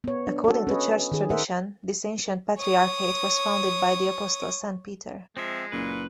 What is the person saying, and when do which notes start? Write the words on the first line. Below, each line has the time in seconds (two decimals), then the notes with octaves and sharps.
According to church tradition, this ancient Patriarchate was founded by the Apostle Saint Peter.
0.04 B3 C#5
0.27 D4
0.44 F#4 A4
0.67 C#4 B4 C#5 D#5
1.12 D#3 G#4
1.30 A#4 C5 E5 F#5
2.58 C#5 D#6
5.37 F3 G#3 C4 E5
5.72 F#1 A#2 B4